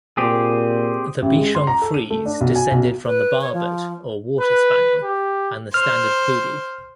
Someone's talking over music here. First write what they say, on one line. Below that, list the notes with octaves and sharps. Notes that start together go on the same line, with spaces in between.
The Bichon Frise descended from the Barbet or Water Spaniel and the Standard Poodle.
A#2 C4 G4 G#4
A1
G#3
C6
A#5
A4
D#7
A3
D4
B1
G#5
B1
B4
C#5
F3
B4
G4
C5 F6